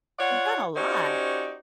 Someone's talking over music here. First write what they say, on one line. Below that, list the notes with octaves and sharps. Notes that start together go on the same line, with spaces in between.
You've done a lot.
F4 C#5 D5 F#5
C#4 D#4 F#4 G4 C5 D5